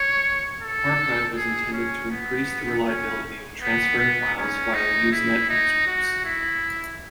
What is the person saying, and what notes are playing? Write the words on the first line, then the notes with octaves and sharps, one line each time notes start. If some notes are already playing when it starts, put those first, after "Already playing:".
Parchive was intended to increase the reliability of transferring files via Usenet newsgroups.
Already playing: C#5
A4
G#4
C#4
B3
C#4
B3
B3
C#4
D#4
E4
D#4
F#4
E4